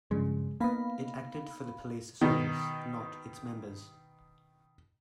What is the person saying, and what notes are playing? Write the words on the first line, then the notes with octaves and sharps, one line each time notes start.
It acted for the police service, not its members.
G2 C#3 F3 G#3
A#3 B3 D#4 F5 B5
B2 D#3